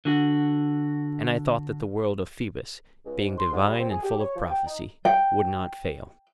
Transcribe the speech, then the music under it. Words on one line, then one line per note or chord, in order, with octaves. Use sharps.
And I thought that the word of Phoebus, being divine and full of prophecy, would not fail.
D3 F#4
C#2
G#2
C6
G#2
G3
C4
G#4
G4
C#5
F3
G5
D#4
G5